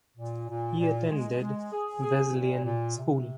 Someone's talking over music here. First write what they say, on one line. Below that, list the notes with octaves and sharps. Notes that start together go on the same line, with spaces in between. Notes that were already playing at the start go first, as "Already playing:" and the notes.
He attended Wesleyan School.
A#2
A#2
A#2
G#3
G#3
G#4
G#4
A#2
A#2
C3